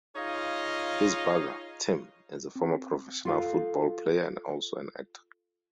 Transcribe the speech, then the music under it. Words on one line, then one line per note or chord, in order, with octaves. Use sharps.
His brother, Tim, is a former professional football player and also an actor.
D#4 F4 G#4 C#5 D#5 F5
C4
F4 A4 F5